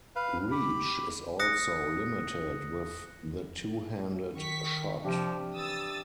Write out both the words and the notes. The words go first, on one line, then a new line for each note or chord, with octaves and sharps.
Reach is also limited with the two-handed shot.
B4 F5
G4 B5
D#6 F#6 A#6 C#7
D#3 C#6 B6
C3 F3 D4 G4 E5
E3 D#6 E6 A6